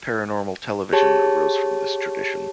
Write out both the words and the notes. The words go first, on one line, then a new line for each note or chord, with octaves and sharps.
Paranormal television arose from this tradition.
G4 G#4 C#5 A5